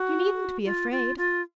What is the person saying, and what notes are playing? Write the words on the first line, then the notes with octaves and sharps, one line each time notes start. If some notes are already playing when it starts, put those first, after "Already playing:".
You needn't be afraid.
Already playing: F#4
F4
F4
F4